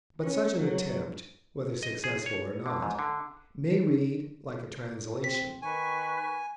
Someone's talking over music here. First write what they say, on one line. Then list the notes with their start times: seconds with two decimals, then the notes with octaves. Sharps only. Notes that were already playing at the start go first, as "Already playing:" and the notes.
But such an attempt, whether successful or not, may read like a translation.
0.22 C#4
0.58 F#3
1.83 D#5
2.04 G#4
2.26 C#5
2.66 D3
2.82 G#2
2.99 D3
5.24 C4 B6
5.62 D#3 B4 G#5 C#6